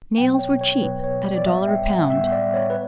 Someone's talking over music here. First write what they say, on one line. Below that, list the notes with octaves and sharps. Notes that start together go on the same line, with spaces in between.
Nails were cheap at a dollar a pound.
B2 F#3 B3 G5
C#5
C#5
B2 F#3 B3 B4
C#5
D5
D5
A2 G3 B3 E5
G5
F#5
A2 G3 B3 E5
D5
C#5
B4